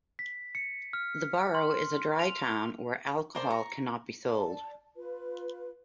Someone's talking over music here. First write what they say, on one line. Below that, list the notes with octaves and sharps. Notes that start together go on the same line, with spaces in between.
The borough is a dry town where alcohol cannot be sold.
B6
C#7
F6
C6
F7
A#4 C5 D5
A#5 C#6
D5 A5
F4 B4